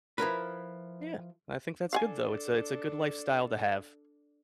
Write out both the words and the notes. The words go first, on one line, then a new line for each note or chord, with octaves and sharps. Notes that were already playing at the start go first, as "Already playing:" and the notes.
Yeah. I think that's good, though, it's a it's a good lifestyle to have.
F3 E4 A#4 B4
D4 A4 F5 F#5 G#5